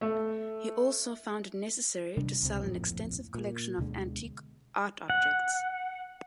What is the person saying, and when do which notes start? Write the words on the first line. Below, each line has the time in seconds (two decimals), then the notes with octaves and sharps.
He also found it necessary to sell an extensive collection of antique art objects.
0.01 A3
2.17 C3 G3 D4
2.43 C#2 C3 C4
2.63 D1 A#1 F2 A2
3.35 A#2
3.78 D2 B2 D3 G#3
5.10 F#5